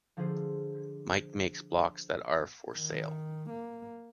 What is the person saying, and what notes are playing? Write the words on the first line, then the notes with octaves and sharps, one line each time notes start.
Mike makes blocks that are for sale.
D3 F3 F4 G#4 C5
D#3
A#3